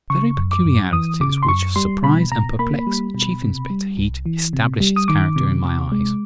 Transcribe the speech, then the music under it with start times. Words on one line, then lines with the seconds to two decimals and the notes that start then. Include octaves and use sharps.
The very peculiarities which surprise and perplex Chief Inspector Heat establish its character in my eyes.
0.10 C#3 C#6
0.37 F#2
0.52 D6
0.65 F#2
0.93 E3 D#6
1.20 C#3 D6
1.43 C6
1.48 F#2 C#6
1.76 G3 C6
2.04 B2 B5
2.32 B2 A#5
2.59 A#3 B5
2.87 G3
3.15 B2
3.42 C3
3.70 G3
3.97 C2
4.26 E3
4.53 C3
4.80 G3
4.96 D#6
5.08 D#3 D6
5.36 C3
5.64 C3
5.92 G#3